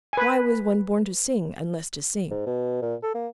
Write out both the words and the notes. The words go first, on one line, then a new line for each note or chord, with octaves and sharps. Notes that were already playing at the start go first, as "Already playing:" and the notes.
Why was one born to sing, unless to sing.
B4 G#5
G#2
B2
A#2
A4
A#3